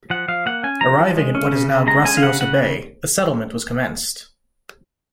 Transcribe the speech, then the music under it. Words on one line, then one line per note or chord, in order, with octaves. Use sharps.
Arriving at what is now Graciosa Bay, a settlement was commenced.
F3 F#5
F3 F5
A#3 F#5
C#4 G#5
F3 A#5
F3
G#3
C#4
C#3
C#3
G#3 A#5
C#4 G#5
F5
C#3 F#5
C#3 F#5